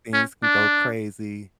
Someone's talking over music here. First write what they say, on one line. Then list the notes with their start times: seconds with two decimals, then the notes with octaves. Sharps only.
things can go crazy,
0.13 C#4
0.43 D4